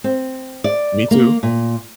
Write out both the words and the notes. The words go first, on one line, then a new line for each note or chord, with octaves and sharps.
Me too.
C4
D5
A#3
A#2